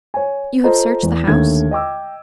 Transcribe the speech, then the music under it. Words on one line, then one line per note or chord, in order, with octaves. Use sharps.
"You have searched the house?"
C#5 G#5
F4 A4 C5 D#5 A#5
E2
D#2 D3 A3 G#6
D#5 G5 D6 E6